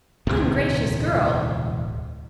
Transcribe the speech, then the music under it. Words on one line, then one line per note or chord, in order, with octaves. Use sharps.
Ungracious girl!
E1 D2 A2 C3